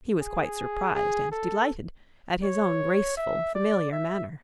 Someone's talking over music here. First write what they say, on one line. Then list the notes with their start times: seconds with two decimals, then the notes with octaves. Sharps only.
He was quite surprised and delighted at his own graceful familiar manner.
0.21 G#4
0.95 G#4
1.32 A4
2.43 C#5
3.17 E5
3.55 D5
3.92 E5